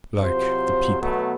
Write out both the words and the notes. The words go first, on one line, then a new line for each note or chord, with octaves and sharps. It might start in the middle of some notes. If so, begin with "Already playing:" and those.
Like the People.
C3 F#3 F4 C5
B2 F#3 A3 B3